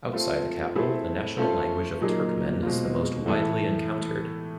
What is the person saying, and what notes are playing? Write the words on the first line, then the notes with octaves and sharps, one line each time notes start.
Outside the capital, the national language of Turkmen is the most widely encountered.
F3 A3 C4 F4
A3 C4 E4 G#4
A3 C#4 F4 A4 C5
A#2 F#3 A#3 D#4 G#4
B2 G#3 C4 F4
A2 E3 A3